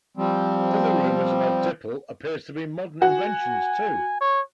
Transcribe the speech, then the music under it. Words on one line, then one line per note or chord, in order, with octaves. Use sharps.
Other rumours about Dippel appear to be modern inventions too.
F3 G3 C4
F#4 G#5
C#5